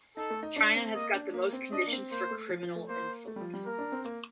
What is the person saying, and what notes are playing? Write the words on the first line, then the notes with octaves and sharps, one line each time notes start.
China has got the most conditions for criminal insult.
D#4 A4
A3
D#4
D4
C4
A#3 D#5
D4
A#3
C4
D4 D#5
A#3
C4
A#3 C5
A3
F3
F3
A3
A#3 C5
A3
G3
F3
G3
A#3 A#4
D4
C4
A#3